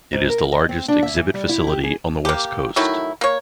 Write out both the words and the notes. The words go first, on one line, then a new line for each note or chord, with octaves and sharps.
It is the largest exhibit facility on the West Coast.
G#2
A#4
D#5
C4
D4
E5
E3
G3
E4
G4
G#4
A#3 G4
D#3 F#3 A3 E4
A#3 C#5